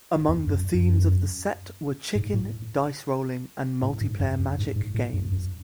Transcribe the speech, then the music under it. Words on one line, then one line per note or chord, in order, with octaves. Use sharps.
Among the themes of the set were chicken, dice rolling and multiplayer Magic games.
E2
F#2
F#2
G#2
A2
A2
G#2
F#2
F#2
G#2
G#2
A2
F#2
F#2